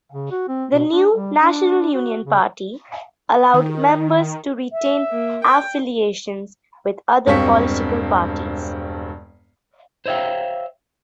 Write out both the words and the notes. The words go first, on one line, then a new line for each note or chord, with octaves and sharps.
The new National Union Party allowed members to retain affiliations with other political parties.
C#3
F#4
C4
B2
D4
G3
D4
F#4
C#3
D#3
E5
A#3
G5
E1 G2 C4 F5 C#6 B6
C5 C#5 E5 F5 G5